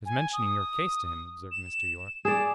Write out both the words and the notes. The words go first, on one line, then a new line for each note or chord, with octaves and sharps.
"I was mentioning your case to him," observed Mr. Yorke.
G#5
D#6
E7
G#4 D5 E7